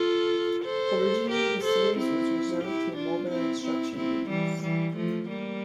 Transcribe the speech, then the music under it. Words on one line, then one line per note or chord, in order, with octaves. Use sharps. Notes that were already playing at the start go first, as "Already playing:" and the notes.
Originally the series was reserved for Mobile Instruction units.
Already playing: F4 A4
A4 C5
G4 A#4
A4 C5
C4 E4
E4 G4
D4 F4
C4 E4
C4 E4
C4 E4
E3 G3
E3 G3
F3 A3
G3 A#3